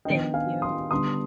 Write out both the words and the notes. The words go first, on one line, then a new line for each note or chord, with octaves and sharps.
Thank you.
D#3 B3 D4 D#5 G5
F5 G#5
C6 D#6
D3 G3 B3 D4 C6 D#6